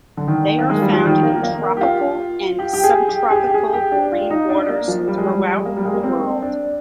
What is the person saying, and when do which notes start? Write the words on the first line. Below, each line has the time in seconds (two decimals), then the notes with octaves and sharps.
They are found in tropical and subtropical marine waters throughout the world.
0.17 D3
0.28 D#3
0.59 A#3
0.70 G#3
0.82 G3
0.93 F3
1.05 D#3
1.23 A#3
1.43 A#3
1.77 G4
1.81 F4
2.59 G4
2.73 G4
2.84 G#4
3.09 G4
3.30 G#4
3.35 G4
3.50 G4
3.54 G#4
3.73 G4
3.92 D4
4.12 F4
4.30 D#4
4.49 D4
4.68 A#3
4.88 F3
5.07 G3
5.18 G#3
5.26 G3
5.58 G#3
5.65 A#3
5.76 G3
5.85 G#3
5.94 A#3
6.03 C4
6.42 D4